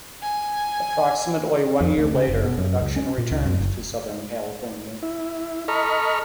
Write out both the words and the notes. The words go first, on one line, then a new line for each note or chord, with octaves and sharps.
Approximately one year later, production returned to Southern California.
G#5
F2
D2
C#3
F#1
B2
F#2
C#2
C#4
A#2
C#2
F#2
F#1
E4
A4 D#5 A#5 B5 C#6 F6